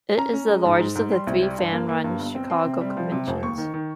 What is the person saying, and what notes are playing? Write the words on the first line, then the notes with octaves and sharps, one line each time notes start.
It is the largest of the three fan-run Chicago conventions.
C#4 A#5
C#4
G#3
G#2
G#2
G#2
G3 C6
C2
G3
G2
A#3
A#3
G2
G1
C4
C4 C6
C3
G3
F3
C3
F1
D#2 C#6
D#3
D#3